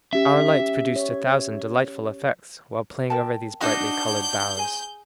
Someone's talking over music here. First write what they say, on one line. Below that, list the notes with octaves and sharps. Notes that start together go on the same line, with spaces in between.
Our lights produced a thousand delightful effects while playing over these brightly colored boughs.
C#4 G4 E5
C#5
A#4 G5 A5
D4 D#4 F#4 G6
C#5
G#4 G#5